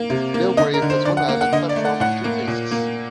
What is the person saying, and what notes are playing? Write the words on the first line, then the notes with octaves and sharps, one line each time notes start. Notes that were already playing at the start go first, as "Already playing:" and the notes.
Belgrave has one island platform with two faces.
Already playing: A#3
C3
A#3
D3 D#5
A#4
D3
C5
D3 D5
F#5
A#3
F#5
D3 D#5
D5
A3
F#5
A2 F#5
A#3
A#2
A#3